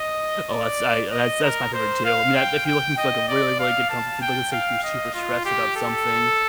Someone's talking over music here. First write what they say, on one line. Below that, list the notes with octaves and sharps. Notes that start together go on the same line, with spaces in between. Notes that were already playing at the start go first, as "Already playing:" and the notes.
Oh that's I uh, that's that's my favorite too, I mean, I if you're looking for, like, a really, really good comfort food, like, let's say if you're super stressed about something,
Already playing: D#5
D5
D#5
A#4
C5
F5
G5
G5
D#5
D5
F5
A5
G5
F5
D#5
F4
G4
A4